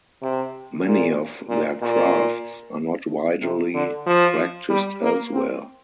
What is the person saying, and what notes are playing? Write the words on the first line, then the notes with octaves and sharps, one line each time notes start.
Many of their crafts are not widely practised elsewhere.
C3
A#2
A#2
A#2
C3
D3
F3
G3
A#3
C4